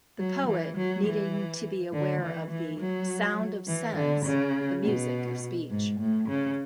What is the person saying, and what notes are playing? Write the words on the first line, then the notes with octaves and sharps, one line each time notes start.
The poet needing to be aware of the 'sound of sense;the music of speech'.
F#3
E3
F#3
E3
D3
E3
E3
F#3
E3
D3
C#3
B2
G#2
A2
C#3